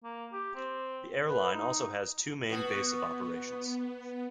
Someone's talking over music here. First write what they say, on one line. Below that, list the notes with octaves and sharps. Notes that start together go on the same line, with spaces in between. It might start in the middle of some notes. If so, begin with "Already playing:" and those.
The airline also has two main base of operations.
A#3
G4
C4
B4
D#4
B2 B3 F#4